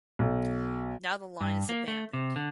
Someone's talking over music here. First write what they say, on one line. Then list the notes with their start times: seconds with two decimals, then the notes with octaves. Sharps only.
Now the line is abandoned.
0.19 B1
1.41 G2
1.69 A#3
1.88 A3
2.13 C3
2.36 D3